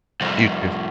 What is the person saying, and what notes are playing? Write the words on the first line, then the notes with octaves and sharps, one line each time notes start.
You too.
C2 F2